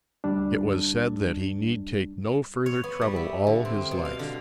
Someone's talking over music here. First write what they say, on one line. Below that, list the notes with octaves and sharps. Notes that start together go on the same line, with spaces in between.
It was said that he need take no further trouble all his life.
D2 G3 D4
C#5
B3
G3
E5
D3
C4
B2
F5
D3